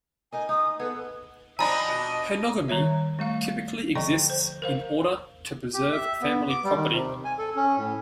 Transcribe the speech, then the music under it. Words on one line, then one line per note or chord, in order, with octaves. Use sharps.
Henogamy typically exists in order to preserve family property.
D#4 A#4 D#5 G#5
D#4 D#6
B3 G#4 A4 B4
F3 C4 D4 D5 D#5 G#5 A#5 B5
B2 D4
D#3 G3 C#5 E5
G3 A3 F5
D3 F3 D5 D#5 G5 C#6
C5
A#4 C5 F5
G4
E5
B3
D6
G3
D#3
C3
G#5
A4
C#4
A2